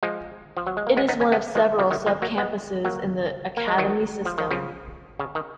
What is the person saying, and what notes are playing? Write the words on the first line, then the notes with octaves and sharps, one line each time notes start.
It is one of several sub-campuses in the Academy system.
F3 G#3
F3
F#3
G#3
A#3
G#3 B3
B3 D#4
A#3 C#4
G#3 B3
F3 G#3
C#3 F3
D#3 F#3
F3 G#3
F#3 A#3
G#3 B3
F#3 A#3
A#3
G#3
D#3 F#3
F3
D#3
C#3 F3
C#3
D#3